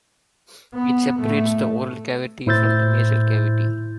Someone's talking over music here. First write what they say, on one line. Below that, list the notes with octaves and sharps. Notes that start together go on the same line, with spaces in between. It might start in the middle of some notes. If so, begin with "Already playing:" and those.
It separates the oral cavity from the nasal cavity.
B3
A2 A3
A2 E4 C5 E6 G6 A6